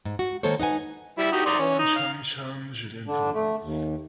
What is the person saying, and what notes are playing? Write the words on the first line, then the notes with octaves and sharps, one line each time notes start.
Born in Changchun, Jilin Province.
G#2
F#4
D#3 G#3 A#3 A4 C5 C#5
D#4 B4 F#5 G#5
G3 E4
D#4 F#4 G4
D#4 D5 C6
C#4
D#4
F5
D3 D4
A3
D#2